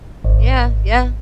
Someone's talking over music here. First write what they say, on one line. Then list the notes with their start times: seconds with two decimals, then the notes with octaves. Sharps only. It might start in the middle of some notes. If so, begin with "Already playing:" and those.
Yeah, yeah.
0.24 G#1